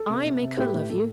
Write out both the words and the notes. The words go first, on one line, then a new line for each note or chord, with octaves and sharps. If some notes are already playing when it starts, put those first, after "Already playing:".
'I make her love you?
Already playing: A4
C3
C3
C3
A2 G4 B4
A2
A2 A4